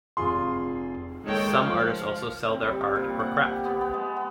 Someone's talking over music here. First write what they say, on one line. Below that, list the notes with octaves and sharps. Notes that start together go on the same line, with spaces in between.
Some artists also sell their art or craft.
F1 F4 G#4 C6
D#3 G#3 A#3 A4 C#5 G5
F3 F5
C4
G3
A#4
A#2
F#5
G4
B3
B3
G#3
B3